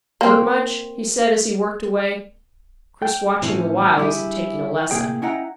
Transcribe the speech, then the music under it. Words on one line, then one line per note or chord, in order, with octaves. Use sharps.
"Hurt much?" he said, as he worked away, Chris watching the while as if taking a lesson.
A#3 C4
G5
A2 E3 C4 C#4
G3 D4 E4 F4 G4 G#4
A2 C3 A#3 G#4 G5
C#4 E4 D#5 F#5 G5 A#5